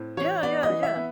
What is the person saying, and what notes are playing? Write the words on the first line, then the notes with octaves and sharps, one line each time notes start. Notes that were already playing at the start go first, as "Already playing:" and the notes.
Yeah, yeah, yeah.
Already playing: A2 C4
E3 C#5
B3 D5
D#5
E3
E5
B3